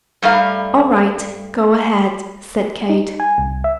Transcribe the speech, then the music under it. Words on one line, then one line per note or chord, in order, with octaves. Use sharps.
"All right, go ahead," said Kate.
G2 G3 A3 F5 A#5
D#4
G#5
C2
E5